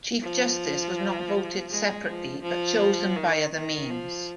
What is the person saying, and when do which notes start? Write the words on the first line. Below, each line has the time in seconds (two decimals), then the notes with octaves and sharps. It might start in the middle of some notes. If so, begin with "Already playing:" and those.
Chief Justice was not voted separately, but chosen by other means.
0.22 F3
1.70 G#3
2.07 F3
2.43 F3
3.16 D#3
3.54 D#3
3.91 F3